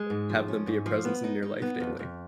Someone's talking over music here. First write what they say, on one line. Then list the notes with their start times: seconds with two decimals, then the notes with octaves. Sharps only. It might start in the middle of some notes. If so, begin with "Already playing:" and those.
have them be a presence in your life daily.
Already playing: G#3
0.10 G#2
0.30 F3
0.48 C#4
0.67 G#2
0.86 F3
1.05 B3
1.24 D#4
1.43 D#4
1.62 B3
1.80 F2
1.99 F2